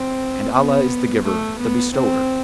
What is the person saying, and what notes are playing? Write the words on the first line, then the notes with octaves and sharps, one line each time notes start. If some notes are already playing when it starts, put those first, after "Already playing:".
And Allah is the Giver, the Bestower!
Already playing: C4
B3
A3
B3
C4